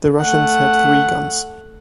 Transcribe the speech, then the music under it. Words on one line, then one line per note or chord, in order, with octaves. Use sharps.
The Russians had three guns.
A3 F#5